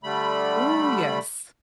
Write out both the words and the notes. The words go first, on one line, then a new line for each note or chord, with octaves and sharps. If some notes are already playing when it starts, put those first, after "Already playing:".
Ooh, yes.
D3 G3 A3 B5